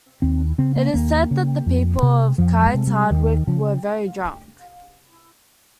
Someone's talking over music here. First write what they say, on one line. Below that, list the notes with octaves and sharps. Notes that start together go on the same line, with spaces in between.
It is said that the people of Kites Hardwick were very drunk.
D#2 C4
C#3 C4
A#3
D#2 A#3
C#3
F2
C3
F2 F3
G#3
C3
G3
D#2 D#3
C#3 F3